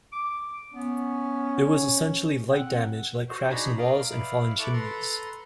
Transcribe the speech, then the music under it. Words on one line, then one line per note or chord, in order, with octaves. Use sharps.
It was essentially light damage like cracks in walls and fallen chimneys.
D6
B3 C#4
C4 F#5
F#4 C5
D4 D#4 F#4 G#4 A#5 B5
A#4 D5 D#5 F5
E4 B4 D5 F5
E4 A4 C#6 D6 F#6
A4 B4 A#5 C6